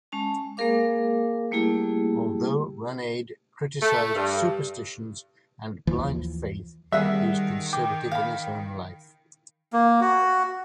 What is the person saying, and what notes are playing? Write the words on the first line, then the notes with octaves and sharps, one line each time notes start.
Though Ranade criticised superstitions and blind faith, he was conservative in his own life.
G#3 C#4 A5
G#3 A#3 G#4 A#4 F5 D6
G3 A3 A#3 E4 G4 G#4
A3
G2
D#2 E3 F3
D#3 G3 G#4 A#4 E5 F#5
G5 D6
F5 B5
A#3
F#4